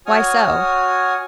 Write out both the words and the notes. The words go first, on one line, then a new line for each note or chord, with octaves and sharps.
"Why so?"
F#4 C#5 G#5 D#6 F6